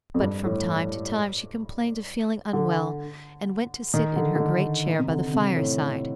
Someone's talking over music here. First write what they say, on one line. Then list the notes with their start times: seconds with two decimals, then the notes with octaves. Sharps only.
But from time to time she complained of feeling unwell, and went to sit in her great chair by the fireside.
0.14 F2
0.21 G2
0.44 A2
2.53 D3
3.94 D#3
4.16 D3
4.36 D3
4.40 D#3
4.86 D#3
4.99 C3
5.10 D3
5.33 C3
5.56 A2